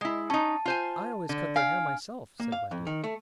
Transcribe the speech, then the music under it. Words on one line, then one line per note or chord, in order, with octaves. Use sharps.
"I always cut their hair myself," said Wendy.
G#3 E4
C#4 D#4 A5
F4 C5 G#5
D3
F5 G#5 F6
A#3
F5
F2
D#3
A3